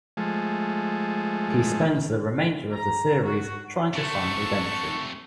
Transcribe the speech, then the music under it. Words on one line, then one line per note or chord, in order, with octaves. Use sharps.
He spends the remainder of the series trying to find redemption.
F3 G#3 A3
A#5
F#4
C3 A3 F#5 A5 C#6